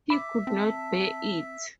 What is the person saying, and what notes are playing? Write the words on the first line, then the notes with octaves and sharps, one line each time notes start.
He could not bear it.
E5 B5 D6
C4 A5